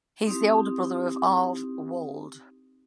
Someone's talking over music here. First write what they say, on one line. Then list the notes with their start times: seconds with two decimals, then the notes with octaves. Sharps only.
He is the older brother of Arve Walde.
0.26 C4 D#4 E4 G4